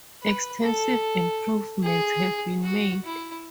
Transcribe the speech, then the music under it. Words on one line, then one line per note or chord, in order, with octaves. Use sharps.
Extensive improvements have been made.
B4
A4
G#4
F#4
E4